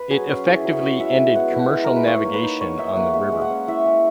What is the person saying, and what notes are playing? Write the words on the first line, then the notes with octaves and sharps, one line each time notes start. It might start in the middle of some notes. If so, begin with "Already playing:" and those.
It effectively ended commercial navigation on the river.
Already playing: B4
F#3 G#4
C#4 G#4
E4 G#4
F#3
C#5
F#3
G#3 E5
G#3
B3 F#5
E4 E5
G#3
A#4
G#3
B4
D#4 C#5
A#3
B4
D#4
A#3 C#5
D#4 E5
A#3 F#5
G#3 E5
G#3
F#5
C#4
E4 E5
G#3